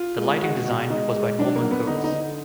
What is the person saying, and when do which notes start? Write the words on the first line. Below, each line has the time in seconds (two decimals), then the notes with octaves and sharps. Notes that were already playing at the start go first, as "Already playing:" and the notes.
The Lighting Design was by Norman Coates.
Already playing: F4
0.17 G#3
0.42 G#3 F#4
0.65 B2
0.90 G#3 D#4
1.14 G#3
1.39 F#3 D4
1.56 A#3
1.63 F#3
1.71 B3
1.87 D3 D#4
2.04 D#4
2.11 D3